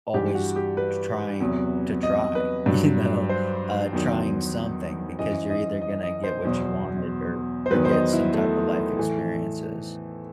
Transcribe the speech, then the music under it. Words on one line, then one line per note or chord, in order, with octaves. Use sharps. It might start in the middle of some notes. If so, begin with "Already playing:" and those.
always tr trying to try, you know? Uh, trying something because you're either gonna get what you wanted or or get some type of life experiences.
G2 E3 G4
F#4
G4
B4
E2 C3 F#3
D#5
B4
G2 F#3
C5
E2 D#3 F#3
F#2 E3 D#5
D#5
D#5
D#5
C5
E2 B2 F#3
C5
E2 D#3 F#3 B4
C5
D#5
E4
A3
A2 E3